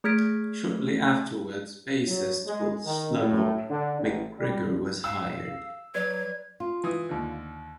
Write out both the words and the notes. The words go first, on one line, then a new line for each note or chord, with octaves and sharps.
Shortly afterwards, bassist Will "Sluggo" MacGregor was hired.
A3 G#4 F6 G#6 B6 D7
F#3
G#3
D#3
A2
D3
A1
G3
F5 E6
F#3 B4 D5 G#6
F4
E3 D#6
D#2 D3